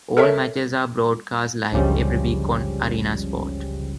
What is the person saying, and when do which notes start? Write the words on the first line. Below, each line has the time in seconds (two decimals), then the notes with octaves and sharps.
All matches are broadcast live every week on Arenasport.
0.17 A4 A#4 C#5 E5
1.72 G1 C#2 F#2 C#3 F3 G3